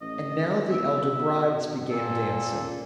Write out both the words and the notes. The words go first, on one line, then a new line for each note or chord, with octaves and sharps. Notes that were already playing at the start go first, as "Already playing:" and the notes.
And now the elder brides began dancing.
A1 D#5
B2 E5
A#2 A4
C#2